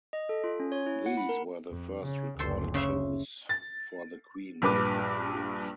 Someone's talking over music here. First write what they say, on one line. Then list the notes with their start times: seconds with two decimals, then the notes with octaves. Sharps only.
These were the first recorded shoes for the queen made with heels.
0.13 D#5
0.29 A4
0.44 F4
0.60 C#4
0.72 C#5
0.86 E4
1.06 F#5
1.17 B5
1.29 A#4
1.70 F2
2.01 C#3
2.39 F#1 D2 A4 C5
2.74 C#3 C5 E5
3.49 A6
4.62 A#1 G2 B4 D6